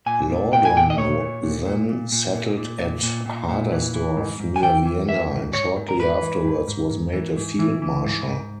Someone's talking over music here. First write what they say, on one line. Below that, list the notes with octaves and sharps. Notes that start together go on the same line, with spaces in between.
Laudon then settled at Hadersdorf near Vienna, and shortly afterwards was made a field-marshal.
A#2 G#5
A#2
A#2 G5
G#5
A#2 G5
D#5
A#2 C#5
A#2
A#2
A#2
A#2
A#2
A#2
A#2
A#2
A#2
A#2
A#2
E3
E3
G#2
G#2
G#5
E3 G5
E3
E3 E5
G#2
G#2 C#5
G#2
A#4
G#2 B4
E3
G#2
G#2
G#2
E3
G#2
E3
E3
G#2
G#2